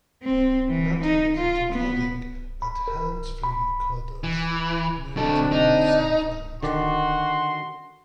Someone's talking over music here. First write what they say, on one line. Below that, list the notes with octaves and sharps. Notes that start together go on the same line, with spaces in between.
Not related to coding, but hands-free coders need to have some fun too.
C4
E3
D#4
F4
B3
B5
A#4
B5
E3
D3 F#3 C4 D4 A4
D#4
D3 D#3 F#4 D5 C6